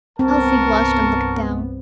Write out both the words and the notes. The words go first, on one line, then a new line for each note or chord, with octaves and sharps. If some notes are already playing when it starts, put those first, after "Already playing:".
Elsie blushed and looked down.
C2 G2 B3 C4 A#4 A5 C#6